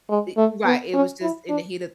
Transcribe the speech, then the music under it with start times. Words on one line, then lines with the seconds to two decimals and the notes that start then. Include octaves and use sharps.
eh right, it was just in the heat of
0.09 G#3
0.37 A3
0.65 B3
0.93 C#4
1.22 E4
1.49 D4